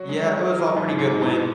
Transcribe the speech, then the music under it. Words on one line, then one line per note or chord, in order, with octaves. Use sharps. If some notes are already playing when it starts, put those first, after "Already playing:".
Yeah, it was all pretty good when
Already playing: F#3 F#4 C#5
G#3
G#3
F#3 B4
G#2 D#4
G#2 D#4
B2 E4